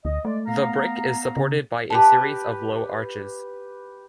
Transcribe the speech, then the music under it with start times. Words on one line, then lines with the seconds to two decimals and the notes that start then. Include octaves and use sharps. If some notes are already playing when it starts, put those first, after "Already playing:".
The brick is supported by a series of low arches.
0.05 D2 D#5
0.25 G#3 A3 D5
0.46 B3 F5 A#5
1.37 C#3
1.90 G4 B4 A5